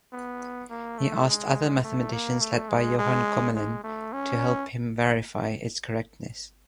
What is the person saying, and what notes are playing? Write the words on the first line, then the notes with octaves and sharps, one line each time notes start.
He asked other mathematicians led by Johan Commelin to help him verify its correctness.
B3
A#3
A3
G#3
A3
A#3
A3
G#3
G#3
G#3
A3
C#4